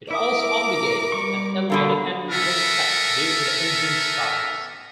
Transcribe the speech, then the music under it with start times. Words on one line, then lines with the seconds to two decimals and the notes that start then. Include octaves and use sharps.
It also obligated an elevated annual road tax due to the engine's size.
0.11 E4 A#4 E5 D6 D#6
1.12 G3 C#6
1.70 B2 D3 A#3
2.30 B3 C#4 A4 A#4 E5